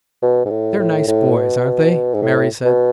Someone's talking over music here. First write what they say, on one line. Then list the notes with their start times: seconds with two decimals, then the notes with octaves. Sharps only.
"They're nice boys, aren't they?" Mary said.
0.22 B2
0.45 G#2
0.50 A2
0.79 A2
1.08 A2
1.36 B2
2.14 G#2
2.22 A2
2.65 B2